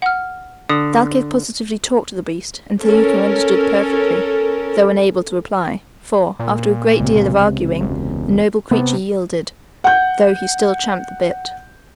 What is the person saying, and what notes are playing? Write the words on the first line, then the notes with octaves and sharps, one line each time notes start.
Thalcave positively talked to the beast, and Thaouka understood perfectly, though unable to reply, for, after a great deal of arguing, the noble creature yielded, though he still champed the bit.
F#5 F6
D3 D#6
C#4 A4 A#4
A#2
C#2 C3
E1
C3 B3
F#5 G6